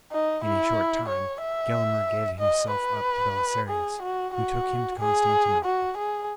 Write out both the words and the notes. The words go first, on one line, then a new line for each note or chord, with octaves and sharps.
In a short time Gelimer gave himself up to Belisarius, who took him to Constantinople.
D#4
E4
C#5
E5
D#5
B4
G#4
F#4
F#4
G#4
F#4
G#4